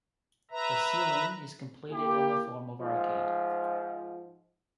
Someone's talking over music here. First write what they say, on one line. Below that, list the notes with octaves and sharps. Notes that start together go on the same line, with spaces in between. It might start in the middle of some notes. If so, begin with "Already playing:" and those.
The ceiling is completed in the form of arcade.
B4 E5 A#5
A#3 E4 G4
G#2 F3